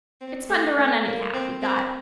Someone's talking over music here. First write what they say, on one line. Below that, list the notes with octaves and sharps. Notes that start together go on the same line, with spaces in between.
"It's fun to run, anyhow," he thought.
C4
A3
A3
A#3
C4
C4